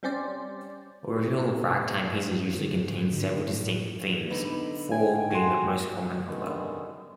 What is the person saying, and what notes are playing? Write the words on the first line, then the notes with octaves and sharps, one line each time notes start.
Original ragtime pieces usually contain several distinct themes, four being the most common number.
G3 C4 C#4 C5 D5
D3
G#2
D3
A2
D3 B3 D#4 B5
G5 G#5
F#4 G#5 C6
F#2 D3 D#3 G3 G#3 B3